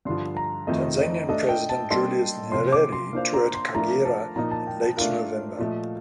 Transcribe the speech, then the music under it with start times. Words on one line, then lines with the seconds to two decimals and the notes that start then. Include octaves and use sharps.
Tanzanian President Julius Nyerere toured Kagera in late November.
0.05 G2 D3 F3 C6
0.37 A#5
0.67 F2 D#3 A3 C4 D#5
0.98 D#5
1.29 A3 D4 A4 D#5
1.49 G5
1.69 A5
1.90 G3 A#3 D4 A4 D#5 C6
2.52 C3 F3 A#3 F4 C6
2.72 D6
2.92 C6
3.13 A#3 D4 F4 C5 F5
3.34 A#5
3.55 C6
3.75 F3 A3 D4 F4 A#4 A#5
4.05 A5
4.36 A#2 F3 A#3 D#4 A#5
4.51 A5
4.67 G5
4.82 A5
4.97 A3 D4 F4 A#4 F5
5.58 A#2 F3 A3 D#5